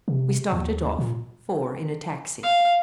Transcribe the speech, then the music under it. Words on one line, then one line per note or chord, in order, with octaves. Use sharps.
We started off--four in a taxi.
C3
D#2
A#2
F5